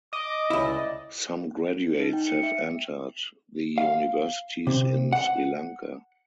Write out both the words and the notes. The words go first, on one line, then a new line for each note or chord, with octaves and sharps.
Some graduates have entered the Universities in Sri Lanka.
D#5 D6
C#2 E4
D5
D#4
G5
C#7
E5
F5
C3
F#5